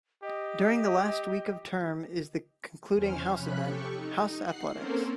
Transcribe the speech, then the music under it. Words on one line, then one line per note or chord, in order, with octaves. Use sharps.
During the last week of term is the concluding House Event, House Athletics.
G4 D#5
E2 C#4 C5 F6
C3 F3 C#4 B5 F#6
G4 A4 C#6
D#4
F#5 F#6 C7
A#3 C4 C#4 A4 A#4 C5